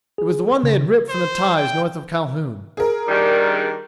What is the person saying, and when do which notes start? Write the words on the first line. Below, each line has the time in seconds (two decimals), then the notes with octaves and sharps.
It was the one they had ripped from the ties north of Calhoun.
0.18 G#4
0.63 C#3
1.09 C5
1.56 G5
2.77 G#4 A#4
3.08 D#3 G3 D4